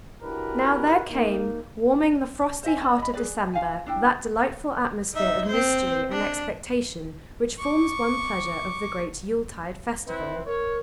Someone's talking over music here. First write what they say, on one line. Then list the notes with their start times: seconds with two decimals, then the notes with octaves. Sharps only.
NOW there came, warming the frosty heart of December, that delightful atmosphere of mystery and expectation which forms one pleasure of the great Yule-tide festival.
0.22 D4 E4 F#4 G4 A#4 B4
1.10 A#3 D#4
2.63 C5 D#5 E5 G#5
2.81 D5 A5
2.98 D#5 B5
3.14 G#4 B4 D5
3.53 F4 F5 G#5
3.86 D4 E4 G5
5.13 D#4 E5
5.46 C4 C5
6.12 D4
7.59 C#6 D6
10.07 C4 E4 B4
10.46 A#4 C#5